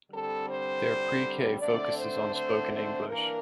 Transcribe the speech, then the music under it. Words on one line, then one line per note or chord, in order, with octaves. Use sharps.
Their Pre-K focuses on spoken English.
D3 G3 C4 A4
C5
D3 A3 C4 D5
C5
C5
C5
E3 A#3 D4 A#4